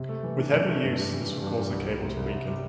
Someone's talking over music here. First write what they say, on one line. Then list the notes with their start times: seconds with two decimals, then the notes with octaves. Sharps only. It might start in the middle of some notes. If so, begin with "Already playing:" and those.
With heavy use, this will cause the cable to weaken.
Already playing: C3
0.09 A3
0.23 E3
0.38 D4
0.53 C3
0.68 A3
0.82 G2
0.98 G3
1.12 E3
1.28 G2
1.43 G2
1.57 G3
1.72 C2
1.87 G3
2.02 C3
2.16 C2
2.32 C2
2.47 G3